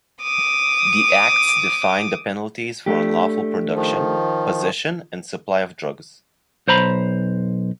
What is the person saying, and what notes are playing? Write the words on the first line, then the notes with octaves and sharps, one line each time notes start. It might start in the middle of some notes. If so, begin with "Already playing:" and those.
The acts define the penalties for unlawful production, possession and supply of drugs.
D6 D#6
A3 D4 G4
D#3 F3
B1 C5 A#5 B5